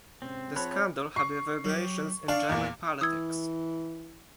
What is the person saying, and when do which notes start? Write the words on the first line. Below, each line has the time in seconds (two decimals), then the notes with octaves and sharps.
The scandal had reverberations in German politics.
0.22 G#2 C3 C4 C#4
0.56 F3 G#4 C5 C#5 A5 B5 F#6
1.16 C#6 C7
1.64 F#3 G4
2.28 D4 D5 F5 C#6
2.49 E2 A#2
3.01 E3 D#6 E6 G#6